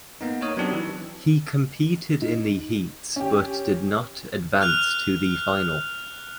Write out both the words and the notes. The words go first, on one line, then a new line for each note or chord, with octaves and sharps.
He competed in the heats but did not advance to the final.
A#3 B3 D#4
D#4 A#4 C#5 D#6
F#3 B3 C4 D4 D#4 G4
E3
D#4
C#4 G4
F6 F#6 F7